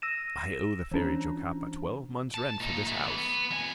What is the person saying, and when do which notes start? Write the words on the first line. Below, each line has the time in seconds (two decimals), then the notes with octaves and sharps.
I owe the Fairy Jocapa twelve months rent for this house.
0.02 E6 A#6 D#7 E7
0.91 E3 C#4 D4
2.34 A5
2.60 A#2 D#4
2.87 A3 G#4
3.03 E3 B3
3.17 B3
3.51 F2 G#5